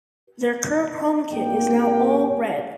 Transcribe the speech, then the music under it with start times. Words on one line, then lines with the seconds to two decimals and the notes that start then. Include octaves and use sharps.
Their current home kit is now all red.
1.32 G#1 A#3 G4 G5